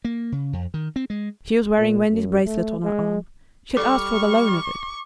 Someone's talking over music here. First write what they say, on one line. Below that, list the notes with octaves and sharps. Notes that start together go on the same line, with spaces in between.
She was wearing Wendy's bracelet on her arm; she had asked for the loan of it.
A#3
C#3
F2
D#3
C4
G#3
A#2
F#2
A3
G#3
G3 A4 D5 C#6 D6 F6